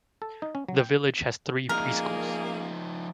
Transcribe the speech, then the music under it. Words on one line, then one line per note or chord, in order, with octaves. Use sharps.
The village has three Preschools.
A4
D#4
C#4
F#3
G5
F3 A#3 D#4 G#4 A#4